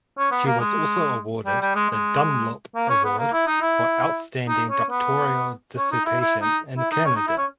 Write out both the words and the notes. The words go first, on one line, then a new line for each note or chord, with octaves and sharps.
She was also awarded the Dunlop Award for Outstanding Doctoral Dissertation in Canada.
C#4
B3
A#3
G#3
G3
G3
G#3
G#3
A#3
C#4
B3
A#3
E4
D#4
E4
D#4
C#4
B3
C#4
D#4
E4
E4
D#4
E4
D#4
C#4
D#4
E4
C#4